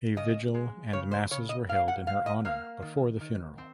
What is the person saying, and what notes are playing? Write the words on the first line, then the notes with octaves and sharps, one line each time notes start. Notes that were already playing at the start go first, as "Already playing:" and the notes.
A vigil and masses were held in her honor before the funeral.
C#3 D#5
G#3
C#3 C#5
C5
C#3 C#5
D#5
A#3 F5
F#5
A#3 F5
D#5
A#3 F5
D#3
D#3
C4